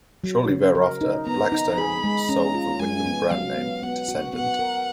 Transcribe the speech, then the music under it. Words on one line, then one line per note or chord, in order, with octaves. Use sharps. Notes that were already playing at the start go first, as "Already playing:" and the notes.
Shortly thereafter, Blackstone sold the Wyndham brand name to Cendant.
F#3
C#3
A#4
D#4
B3 A#5
D#4
G#4 B5
G#3
C#4 A#5
F4
G#3 G#5
B3
F#3 F5
B3
B3 F#5
F#4
B3 F#5
A#4